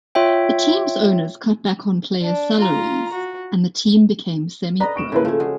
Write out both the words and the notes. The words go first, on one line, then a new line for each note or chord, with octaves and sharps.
The team's owners cut back on players' salaries, and the team became semi-pro.
F4 C#5 E5 G5
D4
F4 A#5
F#4
B4 D5 D#5 A#5
C#6 D7 E7
C#3 F3 A#3 E4 B4
A3 C#4 F4
G#3 F#4